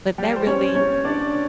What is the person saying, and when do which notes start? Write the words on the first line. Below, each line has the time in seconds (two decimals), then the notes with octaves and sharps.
but that really
0.18 G3 G4
0.36 C5
0.46 C#4 C#5
0.75 C#4 C#5
1.04 D4 D5